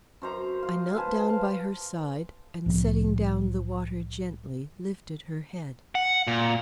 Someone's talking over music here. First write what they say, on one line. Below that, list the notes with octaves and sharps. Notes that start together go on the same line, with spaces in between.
I knelt down by her side, and setting down the water gently lifted her head.
F#2 C5 A#5
F4
B4 C5 G#5 A5
F5
C2 A2 F3 B3
F#5
A#2